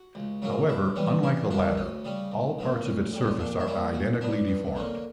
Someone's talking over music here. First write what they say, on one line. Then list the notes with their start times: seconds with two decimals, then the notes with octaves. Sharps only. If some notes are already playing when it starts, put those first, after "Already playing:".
However, unlike the latter, all parts of its surface are identically deformed.
Already playing: F#4
0.15 C#2
0.42 C#3 F#3 A#3 C#4
0.69 F#2 E4
0.96 E3 G3 B3 C#4
1.23 E2 D4
1.50 C#3 G3 A#3 D4
1.77 D2 C#4
2.05 C#3 G3 C#4
2.32 C#2
2.59 C#3 F#3 A#3
2.85 D2 C#4
3.13 D3 G3 C#4
3.27 C#4
3.39 A#2 D4
3.60 D4
3.67 G3 A#3 C#4 E4
3.94 A#2 F#4
4.21 F#3 B3 D4
4.48 G2
4.75 D3 A#3 C#4